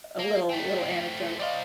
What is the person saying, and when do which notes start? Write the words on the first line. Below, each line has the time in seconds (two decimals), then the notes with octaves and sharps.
a little little anecdote;
0.19 A#3
0.49 A3 C4
1.40 G3 C5 D5 D#5 F5